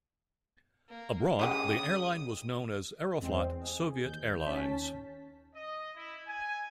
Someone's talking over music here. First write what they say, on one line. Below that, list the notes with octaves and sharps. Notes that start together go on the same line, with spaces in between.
Abroad, the airline was known as Aeroflot Soviet Airlines.
A#3
C#3 G#3 G4 D#6
E2 G#3 C4
G#4
D#2 G6
D#2 C#4 A5 B6
D#5
E4
G#5